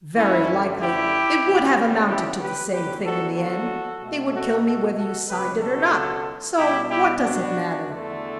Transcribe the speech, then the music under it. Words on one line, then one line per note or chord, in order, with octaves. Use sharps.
"Very likely it would have amounted to the same thing in the end--they would kill me whether you signed it or not; so what does it matter?"
F#2 D3 A3 C#4 E4
E4 G4
E2 C#3 G3 B3
E4 G4
G4 B4
E2 D3 F#3 A3 G4 B4
F#4 A4
F#4 A4
B2 A3
F#4 A4
F#4 A4
F#4 A4
C#2 B2 F#3 G4 B4
F#4 A4
B2 G3 B3 E4 G4
E4 G4
D4 F#4
E2 D3 A3